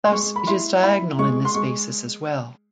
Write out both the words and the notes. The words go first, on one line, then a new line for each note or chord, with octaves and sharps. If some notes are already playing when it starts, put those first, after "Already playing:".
Thus it is diagonal in this basis as well.
C6
G#3 C#6
B5
E4 C6
E4 B5
G#3 C#6
C6
G#3 C#6